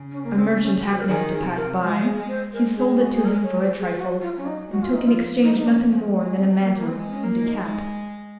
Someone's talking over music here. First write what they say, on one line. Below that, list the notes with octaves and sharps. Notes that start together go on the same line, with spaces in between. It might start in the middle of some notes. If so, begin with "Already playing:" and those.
A Merchant happening to pass by, he sold it to him for a Trifle, and took in Exchange nothing more than a Mantle, and a Cap.
Already playing: C#3
C#4
A#3
C4
C#4
F#4
C5
A#4
D#3 G#4
G#4
C3
A#4
G#3 C5
G#4
G#3
C5
G#3 A#4
G#4
G#4
F#4
G#4
A#4
C#5
C5
G#4
F#4
F4
F#3 C#4
D#4
G#3 F#4
F4
D#4
F3 F4
D#4
D#4
C#4
C4
G#3
C4
F#3
A#3
A#3
G#3 C4
C#4
A#3
D#4
G#3